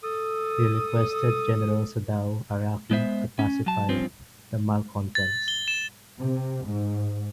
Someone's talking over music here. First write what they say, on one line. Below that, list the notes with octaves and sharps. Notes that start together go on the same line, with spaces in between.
He requested General Sadao Araki to pacify the malcontents.
A4 D#6
G#3 B3 C5 E5
C#4
F#3 A5
G2 F3 C4 C#4
A6
G7
E7
C3
G#2